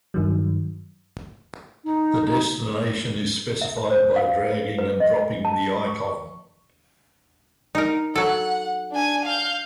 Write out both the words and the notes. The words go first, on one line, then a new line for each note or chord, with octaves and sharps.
The destination is specified by dragging and dropping the icon.
G2 D#3 F#3
D#4
E5
C5
F5
B4
B4
D#5
A5
C#6
C#6
D#4 A#4
F#3 A4 F#5
D4 G#5
F5 G6